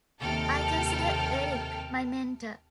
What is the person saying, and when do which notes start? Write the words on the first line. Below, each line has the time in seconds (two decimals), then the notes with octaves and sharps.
I consider Eric my mentor.
0.22 D#2 C3 A4 G5 A5 F6